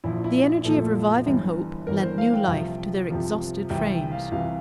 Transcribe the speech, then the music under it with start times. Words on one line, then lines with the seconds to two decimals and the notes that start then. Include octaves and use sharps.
The energy of reviving hope lent new life to their exhausted frames.
0.04 A#1 A#2 F3 E4
0.24 E4
0.64 A#1 A#2 F3 A4
1.26 G1 G2 E3
1.87 G1 G2 E3 A#4
2.02 C5
2.18 F5
2.34 G5
2.48 C2 C3 F3
3.10 C2 C3 F3
3.70 C2 C3 E3 G5
3.92 G5
4.12 F5
4.32 C2 C3 E3 F5